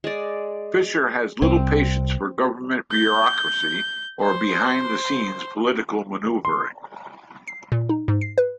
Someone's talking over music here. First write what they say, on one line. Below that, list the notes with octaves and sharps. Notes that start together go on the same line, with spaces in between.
Fisher has little patience for government bureaucracy or behind-the-scenes political maneuvering.
G#3 D5
C2 C4
G6
C5
C6
C7
A#2
D#4
G#2
C7
B4